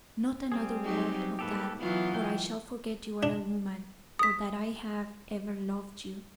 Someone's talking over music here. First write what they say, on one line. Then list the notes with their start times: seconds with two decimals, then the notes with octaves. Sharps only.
"Not another word of that, or I shall forget you are a woman or that I have ever loved you."
0.52 G3 C4 G#4
0.84 F#3 D#4 G4
1.39 G#2 A#3 G4 A4 B4
1.79 E3 F#3 B3 F4
2.15 G5
3.23 D4
4.19 D#6 B6